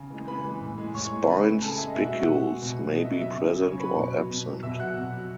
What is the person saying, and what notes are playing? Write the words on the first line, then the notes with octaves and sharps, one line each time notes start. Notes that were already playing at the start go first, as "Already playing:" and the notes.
Spined spicules may be present or absent.
Already playing: C#3
E3 G#3
C#3 B4 B5
E3 G#3
A2
G#3
A2 C#5 C#6
G#3
C#3 B4 B5
G#3
C#3 A4 A5
G#4 G#5
G#3 E5
D#5
B2 E5
F#4 F#5
G#3 E5
F#4 F#5
B2
G#3
B2
F#3
B2 D#5
E5
F#3 D#5
E5
C#3
F#3
C#3 C#5 C#6
F#3 B4 B5
B2
F#3
B2
F#3
B2 E5 E6
F#3 F#5 F#6
B2
F#3